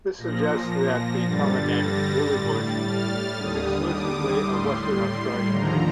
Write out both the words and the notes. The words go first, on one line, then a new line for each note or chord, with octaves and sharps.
This suggests that the common name "woollybush" is exclusively a Western Australian name.
A#2 F3 A#6
A#6
G2 D3 G3 A6
A#6
A2 G3 A6
F6
D#2 D3 G3 D#6
D6
A2 G3 C6
D#2 D3 F3 A#5